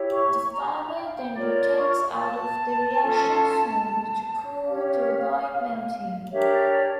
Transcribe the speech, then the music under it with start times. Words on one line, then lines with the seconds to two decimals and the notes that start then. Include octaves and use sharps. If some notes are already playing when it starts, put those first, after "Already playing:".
The fibre then rotates out of the reaction zone, to cool, to avoid melting.
Already playing: E4 G4 C#5
0.10 C#6
0.52 A#5
0.93 G5
1.03 F5
1.13 G5
1.34 F4 A#4 C#5 D5
1.75 C#6
2.17 A5
3.00 C#4 F4 A4
4.64 C#4 G4 C#5 F5
6.29 D4 G4 A#4 C#5 E5
6.51 D5
6.71 D5